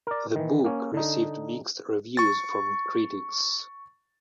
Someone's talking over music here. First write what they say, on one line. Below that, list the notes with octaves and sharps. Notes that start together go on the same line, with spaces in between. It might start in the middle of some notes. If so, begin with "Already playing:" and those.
The book received mixed reviews from critics.
A#4 D5
D#3 E3
A#3 C#4
D3 D#4
C#6 A6